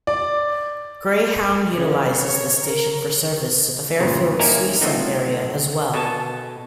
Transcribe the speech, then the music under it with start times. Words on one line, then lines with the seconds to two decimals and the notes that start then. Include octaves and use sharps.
Greyhound utilizes this station for service to the Fairfield-Suisun area as well.
0.07 D5
1.73 C#3
2.15 C#5
2.62 A#4
4.00 D2 G2 A#2 C#3
4.39 A#3 C#4 D#4 E4 G4 A#4
4.81 F3 F#3 A3 C4 D#4
5.94 B2 A4 G#5 A5